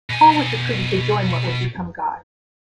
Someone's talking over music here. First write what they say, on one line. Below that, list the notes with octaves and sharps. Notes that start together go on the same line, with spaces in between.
Hall was recruited to join what would become Guy.
B2 G#5